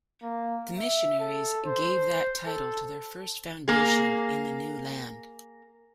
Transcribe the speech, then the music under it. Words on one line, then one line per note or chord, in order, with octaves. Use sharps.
The missionaries gave that title to their first foundation in the new land.
A#3
E5
A4
C5
A4
A#3 G#4